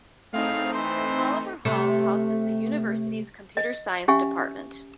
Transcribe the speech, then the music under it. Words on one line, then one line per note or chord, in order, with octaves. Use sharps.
Oliver Hall houses the University's Computer Science Department.
A2 A3 C4 D#4 G#4 F5
E3 C5
C3 A3 A4
D#5
C#4 G4 E5 F5 G#5 C#6